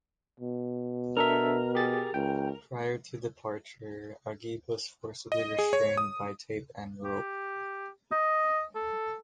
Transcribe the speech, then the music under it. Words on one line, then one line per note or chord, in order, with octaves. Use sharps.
Prior to departure, Ageeb was forcibly restrained by tape and rope.
B2
D4 A4 A#4 E5
G4 G#4 A6
C#2 G5
D#5
G#4
C#5
D#6
G4
D#5
A4